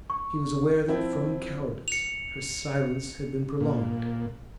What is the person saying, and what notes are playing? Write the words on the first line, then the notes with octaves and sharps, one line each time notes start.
She was aware that from cowardice her silence had been prolonged.
C#6
F3 C4 E4
C#7 F7
A#2